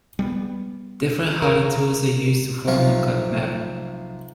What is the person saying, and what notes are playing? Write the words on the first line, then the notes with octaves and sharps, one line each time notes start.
Different hardy tools are used to form and cut metal.
G3 G#3 B3
A#4
B1 C3 F3 C#5 F5